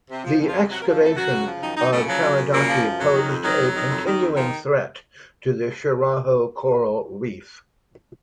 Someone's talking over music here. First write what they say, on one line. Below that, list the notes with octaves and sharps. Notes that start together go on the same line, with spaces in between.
The excavation of Karadake posed a continuing threat to the Shiraho coral reef.
C3
F3
F2
F3 F4
F2
C3 F#3 F#4
A#3 A#4
F3
F2 A3 A4
F#2 F#3 F#4
C#3
F3
F#2 D#3 D#4
F#2 D#3 D#4
A2 C#3 A3
F3 F#3
F#2
F#2
A#2 C#3 A#3
F3
F#2
F2 F#3
D#3
F2
D#3 F#3
F2
D#3
F2
D#3
F2
D#3 F3